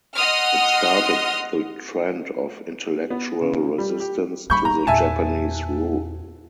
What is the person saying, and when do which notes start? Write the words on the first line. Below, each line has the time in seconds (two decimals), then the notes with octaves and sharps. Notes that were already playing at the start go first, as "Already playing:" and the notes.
It started the trend of intellectual resistance to the Japanese rule.
0.16 D#5 F#5 C6 D#6 F6
3.10 B3
3.41 C#3
3.78 G3
4.00 G4
4.50 G3 B5 C#6 G6
4.65 A#5
4.87 E2 A#2 E5 G#5 A5